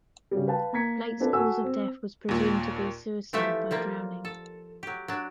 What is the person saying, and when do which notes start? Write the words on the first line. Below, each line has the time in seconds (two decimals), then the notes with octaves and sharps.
Blake's cause of death was presumed to be suicide by drowning.
0.31 C#3 F#3 G3
0.47 B4 F5 G5 A5
0.73 A#3 A#5 G#6 B6 C#7
1.20 C4 D4 F4 A4 B4
1.33 F#4 A4 G#5 E6
1.64 C4
2.29 D#2 A#2
3.33 E3 F3 A3 G4 E5
3.71 F3 G3 A#3
4.25 A4
4.83 F#3 G4
5.08 F#3 D4